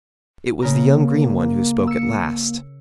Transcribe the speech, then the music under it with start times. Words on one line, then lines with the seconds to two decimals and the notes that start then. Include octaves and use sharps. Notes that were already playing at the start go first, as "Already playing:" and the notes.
It was the young green one who spoke at last.
0.62 C#3 A#3 A#4
1.87 E6 C#7